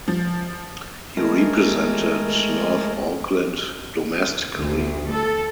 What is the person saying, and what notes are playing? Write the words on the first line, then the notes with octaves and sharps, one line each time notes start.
He represented North Auckland domestically.
F3
G#3 A3 A#4
D2
A4